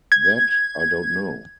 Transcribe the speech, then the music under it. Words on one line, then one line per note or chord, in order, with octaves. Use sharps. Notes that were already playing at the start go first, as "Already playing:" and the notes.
That I don’t know.
G#6